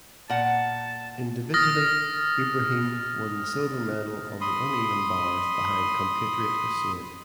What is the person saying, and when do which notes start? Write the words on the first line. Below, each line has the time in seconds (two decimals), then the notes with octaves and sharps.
Individually Ibrahim won the silver medal on the uneven bars behind compatriot Hussein.
0.29 A#2 F#5 A5
1.54 D#6 F6 A6 A#6
4.41 B5 C6 D#6